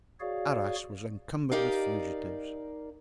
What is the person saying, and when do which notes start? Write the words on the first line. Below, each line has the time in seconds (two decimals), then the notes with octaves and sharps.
Arras was encumbered with fugitives.
0.20 F#4 G#4 C#5 D5 F5
1.52 D#4 G4 A#4 D5 D#5 F5